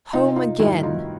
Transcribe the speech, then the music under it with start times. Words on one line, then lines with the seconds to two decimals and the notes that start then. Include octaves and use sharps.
Home again!
0.13 C3 D#4 F4
0.36 D#4 F4
0.59 D#3 G3 E4 F#4
0.83 D#4 F4